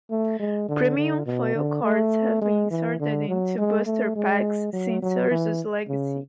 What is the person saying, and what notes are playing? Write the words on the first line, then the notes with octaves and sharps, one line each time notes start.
Premium foil cards have been inserted into booster packs since "Urza's Legacy".
A3
G#3
D3
D3
B2
D3
A3
G#3
E3
D3
F#3
G#3
A3
G#3
F#3
F#3
E3
C#3